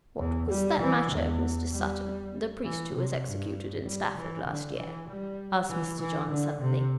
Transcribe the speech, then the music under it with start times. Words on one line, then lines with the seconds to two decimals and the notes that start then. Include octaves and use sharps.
"What was that matter of Mr. Sutton, the priest who was executed in Stafford last year?" asked Mr. John suddenly.
0.19 E2
0.49 G3
0.79 E3
1.11 E2
1.72 G3
2.64 E3
2.94 C3
3.24 G2
3.86 G3
4.17 E3
4.47 D3
4.77 E3
5.08 G3
5.69 E3
6.00 E3
6.31 D3
6.61 C3